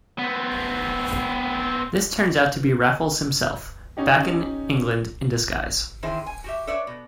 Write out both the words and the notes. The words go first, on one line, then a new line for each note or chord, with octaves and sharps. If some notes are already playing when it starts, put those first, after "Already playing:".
This turns out to be Raffles himself, back in England in disguise.
B3 C4
C#4 D#4 G4
D#3 E3 C4 E4 G#4 C5
G#5
F#4 G4 E5
A4 B4 C#5 D5 E5
B2